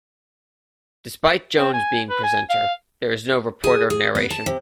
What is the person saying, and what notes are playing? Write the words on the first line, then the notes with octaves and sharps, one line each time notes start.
Despite Jones being presenter, there is no reporter narration.
C4
G#5
B4
G#5
F5
G#4
G#4
B3
A5
C3